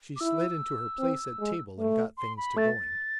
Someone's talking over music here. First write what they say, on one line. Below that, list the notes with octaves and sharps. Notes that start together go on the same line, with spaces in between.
She slid into her place at table and got things to going.
D6
E4 E6
C4
G#3
A3
C6
B5
A3 A6